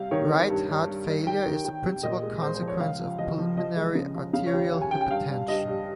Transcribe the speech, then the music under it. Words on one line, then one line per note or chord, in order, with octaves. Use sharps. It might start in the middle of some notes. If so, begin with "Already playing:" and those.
Right heart failure is the principal consequence of pulmonary arterial hypertension.
Already playing: C3 G3 F5
D#3 C#5
D#3
G2
G3
G2
G3
D#3 G5
D#3
D#3 G5
C3
A#2 D#5
G#3
G#3 C5
C5
F3
C#5
C#2 F5
F3
F3 D#5
F3
F3 D#5
G#3
C#3
F3
C#3 F5
C#5
D#2
D#2
G#5
D#2 G5
G5
G2 F5
G3
G2 D#5
G3